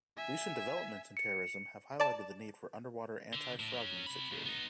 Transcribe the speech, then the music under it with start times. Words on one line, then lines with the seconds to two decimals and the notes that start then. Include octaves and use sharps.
Recent developments in terrorism have highlighted the need for underwater anti-frogman security.
0.17 E5 G#5
1.17 C#7
2.00 D5 A5
3.33 D3
3.60 A2
3.72 F#3 C#4
4.07 C3 B5
4.30 D#2 C#3
4.45 B3 D#4